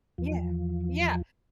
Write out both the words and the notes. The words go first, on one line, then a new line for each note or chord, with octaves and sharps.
Yeah. Yeah.
E2 F3